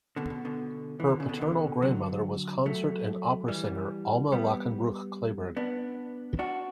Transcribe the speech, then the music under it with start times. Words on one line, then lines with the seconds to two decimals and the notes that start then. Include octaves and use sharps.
Her paternal grandmother was concert and opera singer Alma Lachenbruch Clayburgh.
0.16 B2 D3
0.30 B2
0.45 B2 D3
1.00 E3
1.10 D3
1.20 C#3
1.29 B2 D3
1.41 B2 D3
1.82 D3 F#3
2.66 F#3 A3
3.48 E3 G3
4.32 G3 B3
5.57 B3 D4
6.39 D4 F#4